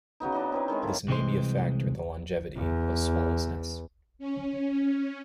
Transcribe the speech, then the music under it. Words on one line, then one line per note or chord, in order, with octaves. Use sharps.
This may be a factor in the longevity of swallows' nests.
C#3 F#3 B3 D#4
D4 D#4 D#5
C4 E4 B4
D#3 G#3 C4 C#5
A#3 E4 A4
C2 C3 E3 G#3 C5 C6
E2
C#4